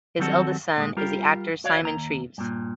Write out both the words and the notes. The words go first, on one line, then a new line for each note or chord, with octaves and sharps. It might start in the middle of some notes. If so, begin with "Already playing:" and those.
His eldest son is the actor Simon Treves.
D#3 F#3 G3 C4 F#4 A4
A#2 G#3
G3 F4 G4 A#4
F#4 C#5 D5 F5
D#2 A#5
G2 A#2